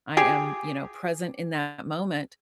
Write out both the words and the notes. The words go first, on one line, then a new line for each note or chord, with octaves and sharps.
I am, you know, present in that moment
G4 G#4